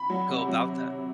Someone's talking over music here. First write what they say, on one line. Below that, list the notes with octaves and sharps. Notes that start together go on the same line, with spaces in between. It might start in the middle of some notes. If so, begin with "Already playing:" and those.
go about that.
Already playing: B5
F#3
C3
F#3